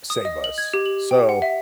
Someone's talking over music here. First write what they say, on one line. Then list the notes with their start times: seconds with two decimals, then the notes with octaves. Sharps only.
save us. So,
0.10 D#6
0.25 D#5
0.44 F#7
0.58 G#6
0.74 G4
0.86 F#7
1.11 G5
1.29 F#5
1.42 E5